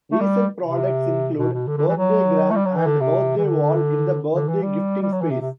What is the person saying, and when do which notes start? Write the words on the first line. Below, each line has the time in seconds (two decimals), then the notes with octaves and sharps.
Recent products include BirthdayGram and BirthdayWall in the birthday gifting space.
0.11 A3
0.20 G3
0.64 C3
1.38 B2
1.53 B2
1.67 D3
1.77 D3
1.88 E3
1.97 F#3
2.50 A3
2.56 G3
2.65 F#3
2.76 E3
2.86 D3
3.00 C3
3.37 E3
3.44 D3
4.33 D3
4.48 E3
4.62 G3
5.02 G3
5.12 F#3
5.21 E3
5.30 C3
5.41 C3